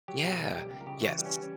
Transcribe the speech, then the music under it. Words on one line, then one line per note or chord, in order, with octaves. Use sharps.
Yeah. Yes.
F#3 G4
B1 G4
A#4
B1
G3 G4
C#2 G4
A#4
C#3 G4
E3 F#4
G3
C#4